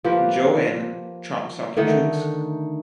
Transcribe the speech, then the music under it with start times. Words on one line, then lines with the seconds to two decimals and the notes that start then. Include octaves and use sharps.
Joe in "Chop Socky Chooks".
0.04 F3 A#3 G4 B4
1.77 D3 D#3 A3 D#4